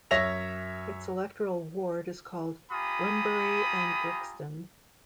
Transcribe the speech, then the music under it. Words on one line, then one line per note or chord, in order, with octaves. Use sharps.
Its electoral ward is called 'Wembury and Brixton'.
F#2 C#5 E5 A#6 F7
F4 G4 G#5 A#5 B5 D#6